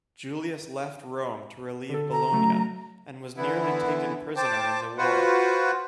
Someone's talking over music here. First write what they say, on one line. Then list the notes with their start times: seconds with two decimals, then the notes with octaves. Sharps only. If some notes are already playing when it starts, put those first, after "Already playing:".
Julius left Rome to relieve Bologna, and was nearly taken prisoner in the war.
1.89 D3 A4
2.12 A#5
2.31 C#3 F#3 A3
3.37 D3 E3 B3 E4
4.37 C5 G5 A5 D6
4.98 F4 F#4 B4 C5 F#5